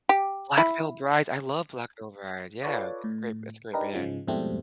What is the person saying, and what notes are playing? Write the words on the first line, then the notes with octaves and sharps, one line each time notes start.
Black Veil Brides. I love Black Veil Brides. Yeah. It's a great it's a great band.
G4
E4
F4 A4 B4 C#5 D5
A2
D4 D#4 G4 A#4 B4
G#2 C#3 F3 G#3
F2 G#2 B2 G3 A3 C4